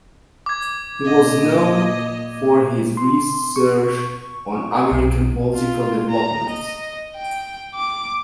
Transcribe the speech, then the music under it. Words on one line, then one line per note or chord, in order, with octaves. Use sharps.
He was known for his research on American political development.
D6 G#6
A#2 D#5
C6
C#6
B1
F4
A#5
D#5
G5
D6